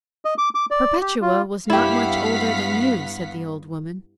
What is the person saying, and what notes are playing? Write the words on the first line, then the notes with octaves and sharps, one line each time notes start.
"Perpetua was not much older than you," said the old woman.
D#5
D6
D6
D5
G4
F4
G2 B3 E4 G4 F5 F#5 B6